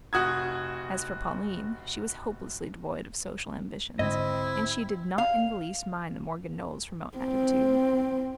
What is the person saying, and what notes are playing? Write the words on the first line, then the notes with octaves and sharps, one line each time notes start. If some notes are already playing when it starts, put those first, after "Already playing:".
As for Pauline, she was hopelessly devoid of social ambitions and she did not in the least mind the Morgan Knowles' remote attitude.
F1 F#4 D#6 G#6
G#2 D3 C4 E4 D#5
F5
C4